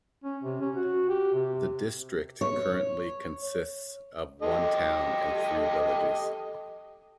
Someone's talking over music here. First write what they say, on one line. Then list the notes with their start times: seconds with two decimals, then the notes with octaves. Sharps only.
The district currently consists of one town and three villages.
0.24 C#4
0.44 C3
0.61 C#4
0.76 F#4
1.09 G4
1.34 C3
2.41 C#5
4.42 G4 A4 D#5